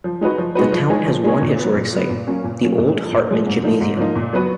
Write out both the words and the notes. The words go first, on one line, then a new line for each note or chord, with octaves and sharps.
The town has one historic site, the old Hartman Gymnasium.
F3
G#3 D#4 F#4 B4
F3
G#3 D#4 F#4 B4
F3
G#3 D#4 G#4 C#5
F3
G#3 D#4 G#4 C#5
A#2
F#3 B3
A#2
F#3 B3
A#2
F#3 A#3 C#4
A#2
F#3 A#3 C#4
A#2
F3 G#3
A#2
F3 G#3
G#2
F3 A#3 D#4
G#2
F3 A#3 D#4
A#2
F#3 B3 F#4 B4